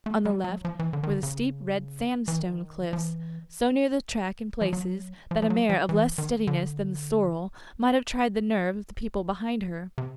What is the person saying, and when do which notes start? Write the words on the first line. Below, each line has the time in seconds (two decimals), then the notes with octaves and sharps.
On the left were the steep red sandstone cliffs, so near the track in places that a mare of less steadiness than the sorrel might have tried the nerves of the people behind her.
0.06 A3
0.25 G3
0.44 F#3
0.65 F3
0.79 E3
0.93 D3
1.03 D#3
1.08 D3
1.23 C#3
2.28 E3
2.39 D#3
2.93 F3
2.98 E3
4.61 F3
4.73 F#3
5.31 F3
5.42 F3
5.50 F#3
5.70 F3
5.89 E3
6.18 D#3
6.47 D3
9.98 C3